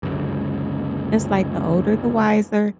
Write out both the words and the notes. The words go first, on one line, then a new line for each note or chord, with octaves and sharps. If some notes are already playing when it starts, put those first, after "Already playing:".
It's like the older, the wiser,
C#2 F#2 D3